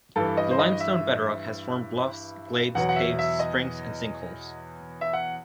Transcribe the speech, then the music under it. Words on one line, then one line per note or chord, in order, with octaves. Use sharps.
The limestone bedrock has formed bluffs, glades, caves, springs, and sinkholes.
G2 E3 A4
D#5
C5
D#5
E5
E2 B2 F#3 F#5
F#5
E5
E5
D#5
E5
F#5